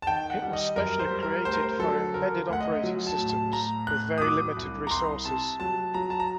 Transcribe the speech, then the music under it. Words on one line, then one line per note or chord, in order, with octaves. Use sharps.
It was specifically created for embedded operating systems with very limited resources.
A5
D#3 G5
F#5
G3
D#5
F#2 A#4
C5
G3
A#4
D2 C5
A#4
C5
F#3 A4
D3 A#4
D2 F#5
D#5
F#3
A5
A2
A5
A2 A#5
A2 F#6
D#6
F#3 D6
C2
A#5
C2 C6
C3 A5
F#3 A5
F#3 A#5
A5
A#5